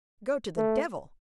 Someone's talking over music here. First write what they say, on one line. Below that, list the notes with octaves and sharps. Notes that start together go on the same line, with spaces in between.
Go to the devil!
A3